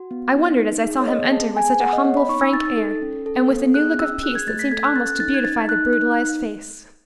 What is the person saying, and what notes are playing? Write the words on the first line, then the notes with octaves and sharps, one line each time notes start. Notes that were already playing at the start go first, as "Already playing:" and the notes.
I wondered as I saw him enter with such a humble, frank air, and with a new look of peace that seemed almost to beautify the brutalized face.
Already playing: F#4
B3
D#4
D#4
G#4
C#5
B3 D#5
G#4 A5
B3 G#5
G#4 F#5
D#5
B3 C#5
B5
D#4 C#6
E6
D#4 A6
A6
A4
C#4
A4
B3
G#4 F#6
C#4 E6
G#4 F#6
G#6
A3 A6
B6
A4 G#6
F#6
C#4 A6
F#6
D#4 A6
G#6
D#4 A6
D#4 F#6
D#4 F#6